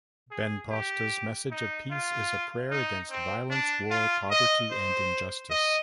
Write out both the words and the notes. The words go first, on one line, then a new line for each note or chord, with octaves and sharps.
Benposta's message of peace is a prayer against violence, war, poverty, and injustice.
G#4
G4
D#4
F4
D#4
C4
D4
F4
D#5
C5
D#5